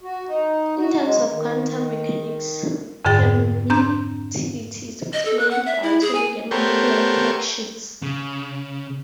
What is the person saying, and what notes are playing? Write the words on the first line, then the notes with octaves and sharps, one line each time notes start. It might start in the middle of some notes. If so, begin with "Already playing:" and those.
In terms of quantum mechanics, permittivity is explained by atomic and molecular interactions.
F#4
D#4
F#4
G#3
D#3
F2 G#2 D3 G#4 G5 A6
C4 D4 A#5 G6
D#5
A4
F#6
F#5
E5
E4
G#4
G#5
A3 B3 G4 A#4 C5 C#5
C#3